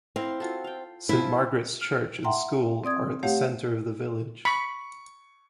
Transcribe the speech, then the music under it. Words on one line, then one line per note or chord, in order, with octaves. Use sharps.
Saint Margaret's church and school are at the centre of the village.
C4 E4 F5 A#5
F4 F#4 A4
F5 G5
F3 E4 F4 G#5
F6
E5 F#5 G5 A#5 C6
C4 D5 D#6 G#6
A3 G4 C#5 F5 F#5
B5 C#6 C#7